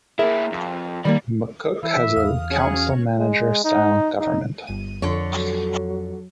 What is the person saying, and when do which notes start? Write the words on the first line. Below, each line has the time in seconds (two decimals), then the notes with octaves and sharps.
McCook has a council-manager style government.
0.19 A#3 E4 G#4 A#4 E5
0.52 F2
1.05 D#3 G3 A#3 D5 B5
1.83 E3 E5
2.16 E2 F5 D#6
2.50 C#4 F#4 G#4 C#5
3.19 G#3
3.64 D#4
4.19 D#4
4.67 G1 D#7
5.02 F2 D3 A4 C#5
5.31 F#3